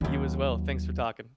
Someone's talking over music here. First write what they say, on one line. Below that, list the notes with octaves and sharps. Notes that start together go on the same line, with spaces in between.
You as well, thanks for talking.
D#2 F#3